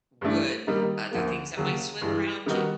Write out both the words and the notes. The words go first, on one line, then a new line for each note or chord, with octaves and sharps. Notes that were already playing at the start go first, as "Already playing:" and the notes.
wood, other things that might swim around you.
G2 E3 A3 D4
D#3 G3 A#3 D#4
D2 D3 F3 A#3
D#2 C#3 F#3
G2 E3 G#3
D#3 G3 B3 D#4 F#4